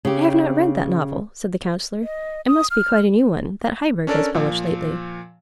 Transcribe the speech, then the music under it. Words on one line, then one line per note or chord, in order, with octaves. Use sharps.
"I have not read that novel," said the Councillor; "it must be quite a new one, that Heiberg has published lately."
C#3 G4
D#5
D#6
F6
C#4 D4 A4 A#4 D5
A#2 F3